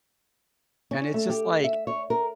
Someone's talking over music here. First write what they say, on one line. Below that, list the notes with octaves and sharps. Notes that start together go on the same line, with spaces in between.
and it's just like
C#4
A3
G4
E5
C#5
A#4